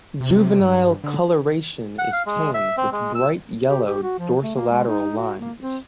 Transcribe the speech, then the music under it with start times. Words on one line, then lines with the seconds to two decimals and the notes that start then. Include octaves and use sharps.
Juvenile coloration is tan with bright yellow dorsolateral lines.
0.21 C3
0.60 G2
1.04 D3
1.99 F#5
2.13 F5
2.26 G#3
2.54 E5
2.77 C4
2.92 G#3
3.15 E6
3.70 G4
3.86 G4
4.02 F#4
4.18 F3
4.43 A3
4.55 A#3
4.70 G#3
4.88 D#4
5.17 F#4
5.40 A#3
5.60 C4